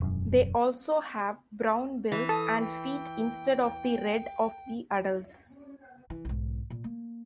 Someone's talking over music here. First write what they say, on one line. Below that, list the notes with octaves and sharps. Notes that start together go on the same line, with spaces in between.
They also have brown bills and feet instead of the red of the adults.
E1 F#2
E3
A4 D#6
G5
E3
B1 G#2
A#2
A#3